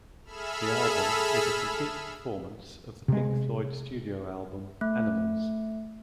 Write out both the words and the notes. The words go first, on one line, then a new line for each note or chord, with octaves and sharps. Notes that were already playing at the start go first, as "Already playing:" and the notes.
The album is a complete performance of the Pink Floyd studio album "Animals".
G#4 A4 E5 B5 E6 F6
C3 G#3
A3